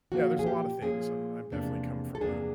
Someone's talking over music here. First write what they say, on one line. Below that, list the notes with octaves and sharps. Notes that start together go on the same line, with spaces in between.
Yeah, there's a lotta things. I'm I'm definitely come from a
A#2 F3 A#3 C#4 F#4
G#4
G4
A#2 F3 A#3 C#4 G#4
E2 C3 F3 A#3 D4
A4
E2 C3 F3 A#3 D4 G#4